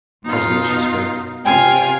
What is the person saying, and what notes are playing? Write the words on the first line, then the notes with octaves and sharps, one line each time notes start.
Presently she spoke.
B2 D#4 F4
C3 F4 G5 G#5